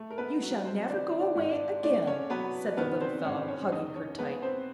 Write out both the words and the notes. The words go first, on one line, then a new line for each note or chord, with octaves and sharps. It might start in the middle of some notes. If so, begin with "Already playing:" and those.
"You shall never go away again," said the little fellow, hugging her tight.
Already playing: A3
A#4
B3 B4
F#3
C4 C5
D#3 D4 D5
D4 D5
G#2
D4 D5
A3 D4 D5
C#4 C#5
F#3 B3 B4
D#3 B3 B4
C4 C5
G#2 C#4 C#5
C#4 C#5
E2 D#4 D#5
C#4 C#5
G#3 B3 B4
C4 C5